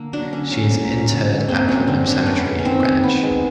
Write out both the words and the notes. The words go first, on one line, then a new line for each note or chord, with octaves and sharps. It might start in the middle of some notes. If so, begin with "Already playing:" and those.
She is interred at Putnam Cemetery in Greenwich.
Already playing: D3 A#3
F#3 D4
D3 C#4
D3 C#4
A#3
F#3
D3
D3
A#3 C4
F#3 C#4
D3 C4
D3 D4
B3 C#4
G#3
C#4
D#3 C4
D#3
B3
G#3